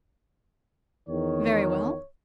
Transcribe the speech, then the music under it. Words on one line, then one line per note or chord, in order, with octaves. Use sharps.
'Very well.
E2 D#3 C#5